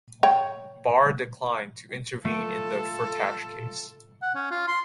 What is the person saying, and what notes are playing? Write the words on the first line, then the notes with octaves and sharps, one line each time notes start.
Barr declined to intervene in the Firtash case.
C#5 G5
A3 F4 A4
F#5
C#4
F4
C6